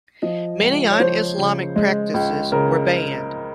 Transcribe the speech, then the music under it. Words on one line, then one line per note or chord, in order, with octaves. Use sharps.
Many un-Islamic practices were banned.
F3 D#5
C#2
C#5
F3 C5
C#3
G#3
C#2
C#3 A#4